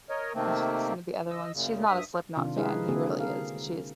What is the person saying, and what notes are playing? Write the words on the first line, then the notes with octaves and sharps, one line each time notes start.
uh, some of the other ones. She's not a Slipknot fan. He really is. But she's.
A#4 C#5 D#5
C3 D#3 A3 A#3 C4
D#5 E6
F#2 A#2 C#3
G2 E5 D#6
C3 D#3 D4 F4
G#3 D#4 E4 G#4 B4 F5
D3 A#3 C4 F#4 G#4 A4
G#4 A#4 F5